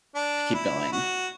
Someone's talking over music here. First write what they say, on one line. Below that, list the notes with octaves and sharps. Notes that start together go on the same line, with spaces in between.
to keep going.
D4
E4
F#4